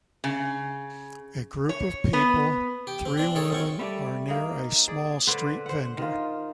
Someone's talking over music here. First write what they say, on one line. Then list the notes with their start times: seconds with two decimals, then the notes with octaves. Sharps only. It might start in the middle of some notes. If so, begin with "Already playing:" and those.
A group of people, three women are near a small street vendor.
0.24 C#3
1.69 C#5
2.13 B3
2.87 G4
3.06 C4
3.17 C4 D4
3.35 G#3 A4 C#5
3.50 F#2 C4 C#6
3.79 G3 A3 D5
4.28 A#3 D#4 G#4
4.88 G#4 D5
5.27 D3 B4 C5 D5
5.66 C5 F#5
5.98 D#3 F4